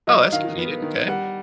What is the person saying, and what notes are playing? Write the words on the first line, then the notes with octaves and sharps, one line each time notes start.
Oh, that's convenient, okay.
F#3 D#5
D#3 F5
B3
D#3
G3 F#5